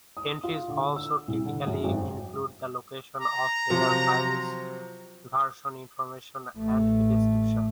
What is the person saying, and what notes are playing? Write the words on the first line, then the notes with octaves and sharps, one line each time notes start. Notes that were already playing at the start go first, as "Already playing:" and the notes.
Entries also typically include the location of header files, version information and a description.
D#6
F4
D3
E6
C2
D3
F#2
G#1
A#5
C3 F3 F#3
A1 A3